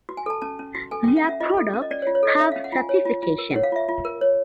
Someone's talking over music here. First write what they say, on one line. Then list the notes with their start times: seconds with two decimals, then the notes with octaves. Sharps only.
Their products have certification.
0.09 F#4
0.17 G#5
0.26 A4 A5
0.41 C#4 A5
0.59 C#4
0.75 F#4
0.91 A4 G#5
1.04 C#4 G5
1.17 F#5
1.24 C#4 E5
1.40 F4 D#5
1.57 A4
1.74 C#4
1.82 D#5
1.91 C#4 D5
2.02 C#5
2.07 F4
2.15 C#5
2.23 A4 D#5
2.40 C#4 E5
2.52 C#4 F5
2.64 F#5
2.72 F4
2.78 G#5
2.89 C#5
3.05 F4
3.23 F4
3.38 A#4
3.51 C#5 F#5
3.63 F5
3.72 F4 E5
3.89 F4
4.05 A#4
4.21 C#5